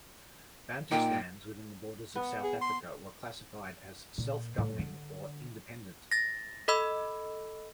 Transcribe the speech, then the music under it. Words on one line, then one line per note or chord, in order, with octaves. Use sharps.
Bantustans within the borders of South Africa were classified as "self-governing" or "independent".
A#2 A#3 D#4 G5
B3
G#4
C6
A#2
A2
D3
A6 A#6
A4 D#5 B5 E6